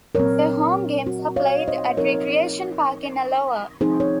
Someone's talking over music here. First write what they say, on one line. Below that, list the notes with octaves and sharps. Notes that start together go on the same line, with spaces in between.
Their home games are played at Recreation Park in Alloa.
A#2 F#3 C4 A#4 C#5
F#4
C#5 F5
C5 D#5
F3 C4 D#4 A#4 C#5
F3 C4 D#4 G#4 C5
C#5